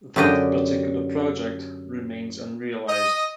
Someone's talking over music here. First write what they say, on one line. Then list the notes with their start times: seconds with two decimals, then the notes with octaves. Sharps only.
That particular project remains unrealized.
0.16 F#2 D3 G4 D#5 G5
2.88 D#5